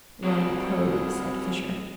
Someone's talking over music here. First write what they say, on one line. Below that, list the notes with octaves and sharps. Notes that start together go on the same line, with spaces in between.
"Rum cove," said Fisher.
F#3 G3 A3 C4 F#4 G#4